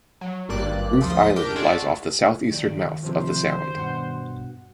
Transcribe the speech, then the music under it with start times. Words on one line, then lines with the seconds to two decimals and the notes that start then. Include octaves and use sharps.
Ruth Island lies off the southeastern mouth of the sound.
0.21 F#3
0.49 G#1 G2 A#3 D5 F#6
1.00 D2 F3 C6 D#6 A6 B6
1.36 D4 G4 A#4 G5 G6 D7
1.56 F4 F#4 G#4 A4 D5 E5
2.51 D#3 F#4 D5
3.03 C3 F3 C5
3.76 G2 B2 F#5